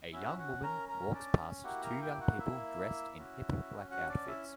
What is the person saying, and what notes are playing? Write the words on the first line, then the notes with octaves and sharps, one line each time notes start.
A young woman walks past two young people dressed in hip black outfits.
C#4 E4 F#4 E5
F#4 F#5
A#4 A#5
A#4 A#5
D4 D5
A#3 E4 F#4 G4 F#5
A#4 A#5
G4 G5
F#4 F#5
E4 E5
C#4 F#4
F#4 F#5
D4 D5
E4 E5